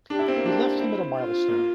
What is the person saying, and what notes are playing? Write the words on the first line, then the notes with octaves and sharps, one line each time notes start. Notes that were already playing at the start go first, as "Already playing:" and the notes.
We left him at a milestone.
D4 G4
E4
C4
A#3
D4 G4
C4 E4
F4
A#3